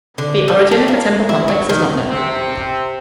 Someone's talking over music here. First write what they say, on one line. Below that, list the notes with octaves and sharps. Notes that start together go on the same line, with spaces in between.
The origin of the temple complex is not known.
D3
G3
A3
A#3
E4
F#3
D#3
C3 C4